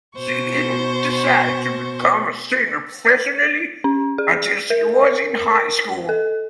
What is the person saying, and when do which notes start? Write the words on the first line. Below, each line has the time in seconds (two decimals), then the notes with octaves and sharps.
She didn't decide to become a singer professionally until she was in high school.
0.17 B2 C5 C#6
3.84 C#4
4.18 G#4
4.70 A#4
6.09 A4